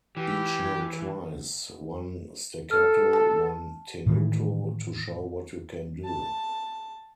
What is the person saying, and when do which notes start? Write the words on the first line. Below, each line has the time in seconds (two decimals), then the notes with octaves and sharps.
Each note twice, one staccato, one tenuto, to show what you can do.
0.17 E3 G4
2.71 A4 F6
3.13 A5
4.06 A2 D#3 E3
6.04 A5